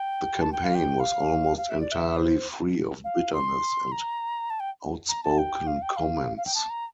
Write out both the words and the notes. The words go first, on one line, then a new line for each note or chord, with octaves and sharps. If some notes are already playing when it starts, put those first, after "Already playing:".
The campaign was almost entirely free of bitterness and outspoken comments.
Already playing: G5
A5
G5
F5
G5
F5
F5
E5
D5
E5
C5
F5
C6
A#5
A5
G5
A#5
A5
G5
F5
G5
F5
F5
G5
A5
A#5